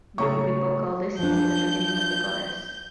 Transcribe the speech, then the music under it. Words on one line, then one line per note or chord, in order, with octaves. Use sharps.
Many people call this day the beginning of the goddess.
A2 C#3 A4 A#5 C#6
F3 D4 G6